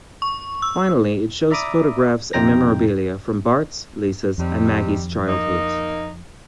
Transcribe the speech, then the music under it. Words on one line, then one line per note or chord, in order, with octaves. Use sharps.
Finally it shows photographs and memorabilia from Bart's, Lisa's and Maggie's childhoods.
C#6
E6
D5 E5 A#5 B5 D6 D#6
F2 C3 D#4 G5 A#5 A#6
F2 C3 D#3 G3
A#3 D#4